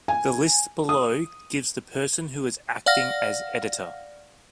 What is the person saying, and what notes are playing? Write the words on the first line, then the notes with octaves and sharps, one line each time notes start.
The list below gives the person who was acting as editor.
G#5
D#6
D5 F5 F#5 F6 A#6